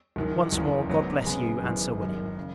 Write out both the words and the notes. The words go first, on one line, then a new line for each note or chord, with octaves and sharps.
Once more, God bless you and Sir William.
F#1 F#2 D#3
F#1 E2 C#3
G#1 G#2 F#3 B3 D#4
F#2 C#3 G#3 B3
G#1 F#2 E3 G#3 B3
F#1 F#2 D#3
C#3